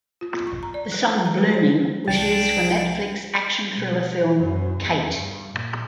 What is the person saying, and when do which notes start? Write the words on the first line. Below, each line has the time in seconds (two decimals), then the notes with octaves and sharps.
The song "Blooming" was used for Netflix action thriller film "Kate".
0.21 F4
0.47 C#6
0.63 A#5
0.74 D5
0.92 F#6
1.13 A3
1.25 A#5
1.38 B4
1.54 C5
2.08 C2 D4 G5 A6
3.74 B2
4.37 F#2
4.80 E2
5.12 G2
5.53 A#2